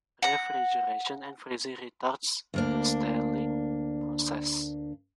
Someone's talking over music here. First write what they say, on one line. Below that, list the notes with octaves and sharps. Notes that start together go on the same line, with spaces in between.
Refrigeration and freezing retards the staling process.
F#5 A#5
D2 A#3 D4